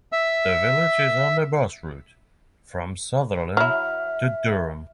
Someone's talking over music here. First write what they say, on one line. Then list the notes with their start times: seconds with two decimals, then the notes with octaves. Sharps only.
The village is on the bus route from Sunderland to Durham.
0.12 E5 E6
3.57 F#3 E4 E5 F6